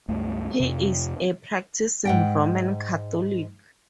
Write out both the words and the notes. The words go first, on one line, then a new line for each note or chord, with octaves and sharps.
He is a practicing Roman Catholic.
C#2 G2 A3
F2 C3
G#2 F#5 G5